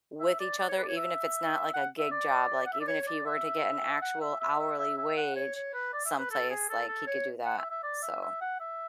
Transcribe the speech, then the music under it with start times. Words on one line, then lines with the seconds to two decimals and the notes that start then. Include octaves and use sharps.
with each other, even if it's not like a gig job. Like, even if he were to get an actual hourly wage someplace, like, he could do that. So
0.21 E5
0.40 D5
0.58 D5
0.69 C#5
0.78 B4
0.83 D5
0.88 C#5
0.97 E5
1.74 F#5
1.99 E5
2.11 D5
2.66 F#5
2.73 E5
2.81 D5
2.88 C#5
3.02 C#5
3.07 D5
3.26 E5
4.02 F#5
4.21 E5
4.40 E5
4.60 E5
4.79 E5
4.97 E5
5.17 F#5
5.36 C#5
5.55 C#5
5.74 B4
5.93 D5
6.05 E5
6.18 B4
6.31 A4
6.50 G#4
6.70 A4
6.88 A4
7.07 C#5
7.46 F#5
7.58 E5
7.71 E5
7.83 D5
8.03 E5
8.22 E5
8.41 F#5
8.60 E5